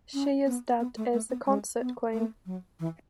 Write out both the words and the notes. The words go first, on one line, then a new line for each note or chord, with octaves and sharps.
She is dubbed as the "Concert Queen".
C#4
B3
B3
A3
A3
B3
G#3
B3
A3
F#3
E3